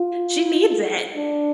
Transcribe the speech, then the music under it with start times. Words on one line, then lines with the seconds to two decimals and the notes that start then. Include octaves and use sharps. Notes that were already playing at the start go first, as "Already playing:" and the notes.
she needs it."
Already playing: F4
1.17 D4